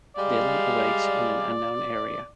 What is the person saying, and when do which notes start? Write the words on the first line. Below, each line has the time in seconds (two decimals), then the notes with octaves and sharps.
Dylan awakes in an unknown area.
0.16 G3 G#3 D5 F5